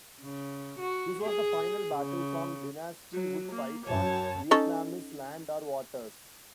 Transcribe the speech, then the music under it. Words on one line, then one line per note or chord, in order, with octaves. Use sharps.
This was the final battle Song Dynasty would fight on Vietnamese land or waters.
C#3
F#4
G#4
C#3
F#3
A#3
F#2 C#5 A5
C#4 D#4 A4